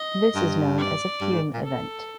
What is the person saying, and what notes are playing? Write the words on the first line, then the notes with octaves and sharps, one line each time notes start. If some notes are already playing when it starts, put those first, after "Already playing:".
This is known as a fume event.
Already playing: D#5
G2
D5
G2
G#2
A#2
A4